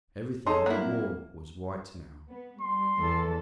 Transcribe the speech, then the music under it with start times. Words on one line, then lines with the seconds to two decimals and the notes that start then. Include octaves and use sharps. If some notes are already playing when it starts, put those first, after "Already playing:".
Everything they wore was white now.
0.47 D#4 G#4 A4 C#5 C6
0.66 F#3 A#3 E4
0.81 A#3 C4
2.28 B3
2.62 G3 C6
2.98 E2 A4